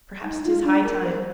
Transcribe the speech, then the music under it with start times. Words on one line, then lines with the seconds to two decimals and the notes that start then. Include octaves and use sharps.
Perhaps 'tis high time.
0.24 D#4
0.44 F4
0.64 D4
0.83 A#4
1.03 C5